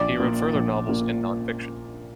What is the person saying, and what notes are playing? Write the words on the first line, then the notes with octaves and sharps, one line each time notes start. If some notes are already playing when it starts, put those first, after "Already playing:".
He wrote further novels and non-fiction.
Already playing: A#1 D5
A#2
A#1
A#2